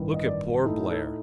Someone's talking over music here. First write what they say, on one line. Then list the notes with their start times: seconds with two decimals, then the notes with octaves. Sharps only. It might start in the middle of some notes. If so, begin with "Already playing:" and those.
Look at poor Blair.
Already playing: A1 G2 D#3
0.14 D#5
0.27 D5
0.64 A2 A3 D#4
0.91 A4